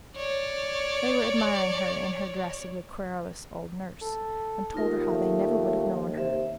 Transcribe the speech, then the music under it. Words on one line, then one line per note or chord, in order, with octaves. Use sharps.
They were admiring her, in her dress of the querulous old nurse, and told her how they never would have known her.
C#5 D5
A4
D#2 D#4 F4 A#4
A3
C3 E5